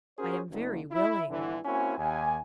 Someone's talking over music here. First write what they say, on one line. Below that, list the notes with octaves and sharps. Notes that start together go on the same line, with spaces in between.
"I am very willing."
C#4 F#4 G#4 A#4 C5 C#5
F#1
E4
G1 D3 E3
A#3 C4 C#4 E4 F#4 G#5
D#2 G#5